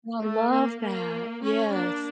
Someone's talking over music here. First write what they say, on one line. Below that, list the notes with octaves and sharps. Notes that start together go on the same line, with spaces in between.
I love that. Yes.
A3
A#3
A#3
C#4
A#3 D4